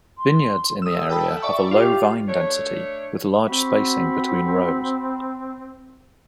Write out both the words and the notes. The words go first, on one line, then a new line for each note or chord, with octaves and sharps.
Vineyards in the area have a low vine density with large spacing between rows.
C6
A4 D#6 E6
G5 A5 B5
D5 E5 C#6
F4 G4
A3 D4 C#5
C4 F#4 B5